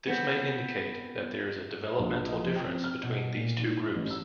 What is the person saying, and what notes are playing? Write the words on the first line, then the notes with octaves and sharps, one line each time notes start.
This may indicate that there is a developmental difference between these two groups.
B3 C4
A#1
D#5
F3
G5
C4
F6
B2
A#2
D#3
A1
E6